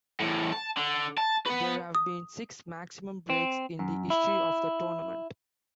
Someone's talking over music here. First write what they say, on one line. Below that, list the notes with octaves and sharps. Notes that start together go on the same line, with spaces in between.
There have been six maximum breaks in the history of the tournament.
E2 A2
A5
D3
A5
B3 B4
D#6
C4
F#2
E4